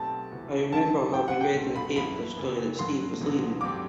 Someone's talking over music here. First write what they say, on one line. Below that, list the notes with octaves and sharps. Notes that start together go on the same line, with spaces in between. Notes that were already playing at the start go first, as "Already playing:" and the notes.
I remember having read in the paper the story that Steve was leaving.
Already playing: B1 B2 A3 C4 G4 A5
D2 C3 E3 B3 F#4
F#1 F#2 F#3 A5
A2 E3 B3 E4 G5
F#5
G5
C2 B2 A3 C4
B5
A1 G2 F#3 B3 E4 B5
F#1 F#2 D3
G2 D3 F#3 C6
E1 D2 D3 F#3 B3
G2 D3 F#3 C4 G4 D6